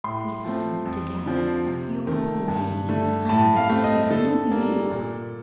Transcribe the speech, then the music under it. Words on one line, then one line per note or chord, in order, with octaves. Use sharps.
We've seen it together--your play--and this is New York!
A2 C6
F3 A3 C4
F2
D3 F3 C4
C3
D#3 A3
G2
D3 A3
A2 A5
F5
A3 C4
D#5
D3 A4
G3 A#3
A#2